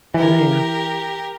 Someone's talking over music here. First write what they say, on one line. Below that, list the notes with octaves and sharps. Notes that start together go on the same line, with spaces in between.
Oh, yeah.
E3 G4 A#4